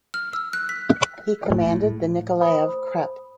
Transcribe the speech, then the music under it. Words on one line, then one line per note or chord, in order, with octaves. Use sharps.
He commanded the Nikolaev crepe.
F6
E6
F#6
B6
A2
C5 B5 D#6